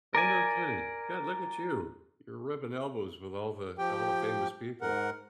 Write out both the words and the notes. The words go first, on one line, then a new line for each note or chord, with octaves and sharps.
Oh, no, kidding good, look at you. You're rubbing elbows with all the all the famous people.
A#4 D5 G#5
F3 G4 G5
G#2 A#4 F#5